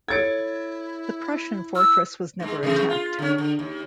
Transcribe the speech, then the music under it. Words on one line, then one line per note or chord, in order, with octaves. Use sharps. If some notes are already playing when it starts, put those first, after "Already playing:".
The Prussian fortress was never attacked.
E4 A4 C#5 G#6 A6 D7
E6 F6
G#2 G#3
C3 E3 A3
F4
D3 C#4
D3
D#2